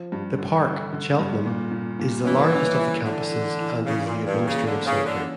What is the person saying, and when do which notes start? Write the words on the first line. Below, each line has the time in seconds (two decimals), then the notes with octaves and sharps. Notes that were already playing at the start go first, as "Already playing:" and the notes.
The Park, Cheltenham, is the largest of the campuses and is the administrative centre.
Already playing: F3
0.12 G2
0.38 D3
0.66 D3
0.93 D3
1.19 G2
1.46 A#2
1.71 A#2
1.99 A#2
2.25 E3 C#4
2.52 C#4
2.79 E4
3.05 D3 E3
3.32 E3
3.59 E3
3.86 C#3 E3
4.05 A#2
4.13 E3
4.26 G2
4.39 A#3
4.46 C#3
4.66 D3 A#3
4.86 C#3
4.93 E3
5.06 D3
5.20 C#4